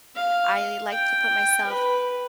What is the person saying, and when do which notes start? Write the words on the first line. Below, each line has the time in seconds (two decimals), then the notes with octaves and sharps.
I like to put myself
0.15 F5
0.92 G5
1.67 B4